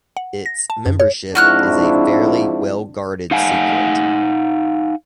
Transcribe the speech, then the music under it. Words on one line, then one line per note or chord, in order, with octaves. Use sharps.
Its membership is a fairly well-guarded secret.
F#5
A#6
A5
F#2
C#5
G#2 F3 C4 D4 E4 F#4 F6 F#6
D#4 F5 F#5 G#5